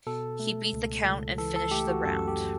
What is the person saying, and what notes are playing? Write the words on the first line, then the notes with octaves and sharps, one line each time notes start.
He beat the count and finished the round.
B2 A4
A3
C#2
C#2
E3 A4
A4
A3 G4
F#4
F#2 A4
G4